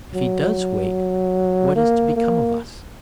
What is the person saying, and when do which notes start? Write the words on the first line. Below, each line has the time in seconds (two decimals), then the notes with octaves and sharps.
"If he does wake what is to become of us?"
0.14 F#3
1.76 A#3
2.16 A#3